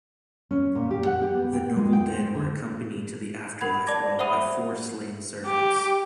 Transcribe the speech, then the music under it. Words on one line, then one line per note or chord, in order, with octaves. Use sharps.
The noble dead were accompanied to the afterlife world by four slain servants.
C#4
A#2
G4
F#5
G4
B3
G5
G#3
G5
C5
D3
A#4 F#5 B5 G#6
D5 A5 D6 G#6 A#6
C5 E5 F#5 B5 D#6 D#7
G4